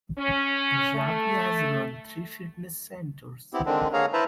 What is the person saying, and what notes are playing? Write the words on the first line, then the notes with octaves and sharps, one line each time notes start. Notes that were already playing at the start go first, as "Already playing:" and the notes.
Zappia has run three fitness centres.
C#4
A3
B3 C4 E4 G4
D3 D#3 G#3 C4 D4
D3 A#3 G#4 C#5 F5 A#5
E4 B4 C5 E5 A5 A#5